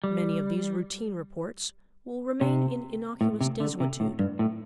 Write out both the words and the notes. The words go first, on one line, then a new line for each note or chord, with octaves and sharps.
Many of these routine reports will remain in innocuous desuetude.
G3
C3
A2
C3
D3
C3
A2
G2
A2